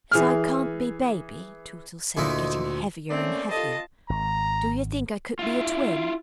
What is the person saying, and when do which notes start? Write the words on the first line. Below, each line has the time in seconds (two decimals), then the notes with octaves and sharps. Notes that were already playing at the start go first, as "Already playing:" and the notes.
'As I can't be baby,' Tootles said, getting heavier and heavier, 'do you think I could be a twin?'
0.12 E3 G#4 F6
2.17 D2 A#2 D#4 E4
3.10 A3 A#3 C4 C#4 D5
3.50 D#3 F4 G4 A4 D#5 A5
4.10 G#1 A#5
5.39 E4 F4